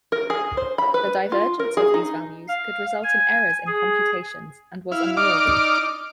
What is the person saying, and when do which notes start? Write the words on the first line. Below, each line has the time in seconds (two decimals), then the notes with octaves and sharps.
The divergence of these values could result in errors in computations, and was unwieldy.
0.12 A#4
0.30 G#4
0.57 C5
0.78 B5
0.94 B4
1.32 F4
1.59 A#4
1.77 G#4
1.94 D#4
2.48 F5
3.04 G#5
3.67 G#4
4.92 E4 F5
5.17 D#4 D5 D6 F6